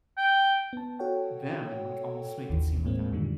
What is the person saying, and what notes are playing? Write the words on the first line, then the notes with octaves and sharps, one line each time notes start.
them," and, like, almost make it seem like I'm
G5
B3 A5
F#4 A4 C#5 F#5 G5
G1 D#2 D#3 E3
A2 G#3 A#3 C4
F2 A#2 D3 D#3 F3 G3